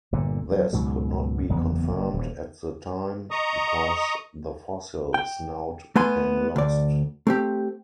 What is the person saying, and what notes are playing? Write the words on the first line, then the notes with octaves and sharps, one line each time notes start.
This could not be confirmed at the time because the fossil snout became lost.
G1 A#2 D3
F#3
C#2 G#2 B2 F#3
F#1 E2 B3
F#1
D#1
D#5 A#5 C#6 D#6
G5
A3 B3 G#5 C6
D2 D5
A3 C4 G4